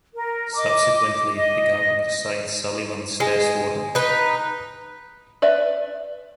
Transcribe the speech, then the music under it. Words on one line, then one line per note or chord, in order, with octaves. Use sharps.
Subsequently, the governor signs Sullivan's death warrant.
A#4
D#5 D6
D#5
G#3
D#4 B4
B4 D5 E5